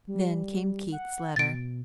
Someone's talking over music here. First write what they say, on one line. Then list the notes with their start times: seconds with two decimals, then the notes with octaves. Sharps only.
Then came Keith's letter.
0.07 G3
0.92 F#5
1.36 B2 A6 D7